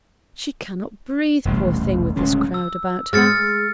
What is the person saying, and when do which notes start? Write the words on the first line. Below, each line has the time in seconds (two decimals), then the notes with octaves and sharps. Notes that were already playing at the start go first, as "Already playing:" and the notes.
She cannot breathe, poor thing, with this crowd about her.'
1.45 E1 A1 C3 G3
2.16 D1 C#2 C#3 C#4
2.54 E6
3.13 G#3 F6 A6 C#7